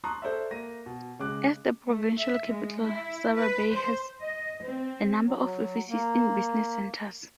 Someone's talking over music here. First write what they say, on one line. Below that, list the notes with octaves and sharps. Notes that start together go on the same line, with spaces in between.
As the provincial capital, Surabaya has a number of offices and business centers.
A5 A#5 C6 C#6 D#6 F#6
A4 C5 D5 E5
A#3 A#6 D#7
B2
C#3 G#3 D6 F#6
A3
E5
G#3
E4
B4
C5
D#5
C4
F#3
F#3
A#3